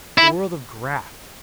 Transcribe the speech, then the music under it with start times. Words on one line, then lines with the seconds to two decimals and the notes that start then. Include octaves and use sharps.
The world of graft!
0.18 E4